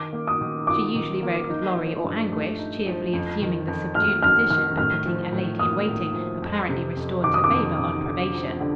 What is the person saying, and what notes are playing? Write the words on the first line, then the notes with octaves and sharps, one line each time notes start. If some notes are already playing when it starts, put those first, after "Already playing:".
She usually rode with Lorry or Anguish, cheerfully assuming the subdued position befitting a lady-in-waiting apparently restored to favor on probation.
Already playing: D#3 D6
A#3
D#6
D#3
F4 D6
D#3
A#3
D#4
F3
G2
A3
D#4
F3
F2
D#3
F2
A3 F6
F2 F6
D#3 F6
A2 F6
F3
A2
A#3 D#6
A2
F3
F2
C3
F2
D#3 D6
D#6
D6
F2
C3
D3
F3
D3